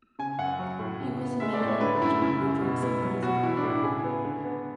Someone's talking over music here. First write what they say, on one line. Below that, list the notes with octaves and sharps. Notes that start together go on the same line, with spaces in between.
He was a man in battle rejoicing in his power.
C#3 G#5
F#2 F#5
F#3
A2
C#3
B3
G#3 E5
D5
A2
C#5
D3 B4
F#2 E4
C#3 E4
F#2
B2
B3 E4
F#3
B2 F#4
E3 E4
D4
A2
E4
C#3 G#4
B3
D3
B3